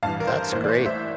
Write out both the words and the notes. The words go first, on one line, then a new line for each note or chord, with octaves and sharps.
That's great.
A1 G2 E3 F5 A5
A#4
C5
A1 A2 E3 A#3 C5
D5
C5
C5 E5